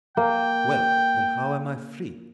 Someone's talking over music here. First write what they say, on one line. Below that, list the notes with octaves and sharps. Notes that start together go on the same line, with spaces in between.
"Well, then, how am I free?"
A#3 G5